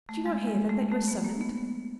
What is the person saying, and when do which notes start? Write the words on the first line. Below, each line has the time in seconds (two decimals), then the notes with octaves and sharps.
"Did you not hear, then, that you were summoned?"
0.09 A3
0.26 G#3
0.47 G#3
0.69 A3
0.92 A3
1.08 B3
1.25 A#3
1.41 B3
1.58 B3